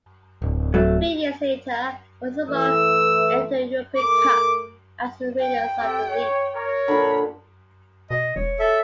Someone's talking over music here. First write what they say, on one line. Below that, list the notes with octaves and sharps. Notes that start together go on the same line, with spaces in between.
Three years later, Rosenborg entered the European Cup as winners of the league.
D1
F#3 A3
E3 A3 E6
A3 A#4 D6
G5
C4 G4 A4
C#5
A#4 C#5
A#2 D3 B5
B2 D#5
E1 C#5
A4 E5